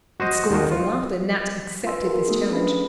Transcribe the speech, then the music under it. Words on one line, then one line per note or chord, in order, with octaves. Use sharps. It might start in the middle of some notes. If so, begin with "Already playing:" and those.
With scornful laughter Nat accepted this challenge.
F#4 C5 D#5
D#2 D#3 F#4
F4
F4 B4 G#5 C6 E6
F#4 G#4 A#4
A3 B3 D#4 G#4
C#4 D4 F4 A4 B4 B5